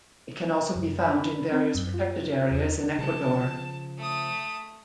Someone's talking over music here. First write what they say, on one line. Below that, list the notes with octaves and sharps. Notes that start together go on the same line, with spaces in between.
It can also be found in various protected areas in Ecuador.
F#2
B5
C4
F#2
F4
E2
C#3 F3 A5
A3 D#6